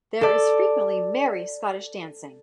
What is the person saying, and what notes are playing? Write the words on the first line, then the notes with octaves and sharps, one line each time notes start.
There is frequently merry Scottish dancing.
A4 D5